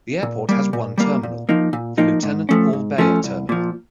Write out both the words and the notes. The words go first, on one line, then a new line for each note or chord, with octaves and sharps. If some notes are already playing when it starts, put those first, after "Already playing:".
The airport has one terminal, the Lieutenant Paul Baer Terminal.
A#2
G3 A#3
A#2
G3 A#3
A#2
F3 A#3 D#4
A#2
F3 A#3 D#4
G#2
F3 A3 C#4
G#2
F3 A3 C#4
C2
A#2 F3